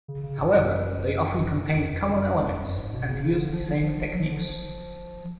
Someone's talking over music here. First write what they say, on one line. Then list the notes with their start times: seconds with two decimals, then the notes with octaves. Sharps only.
However, they often contain common elements and used the same techniques.
0.08 C#3
0.23 C#3
0.38 G#2
0.53 F#2
1.73 F2
1.93 F2
2.14 F#2
2.34 F2
2.48 F2
2.63 F#2
2.78 G#2
2.93 B2
3.09 C#3
3.23 C#3
3.38 D3
3.53 F3
3.68 D3
3.83 F3
3.98 F3
4.13 F#3
4.22 F3
4.32 D3
4.41 F3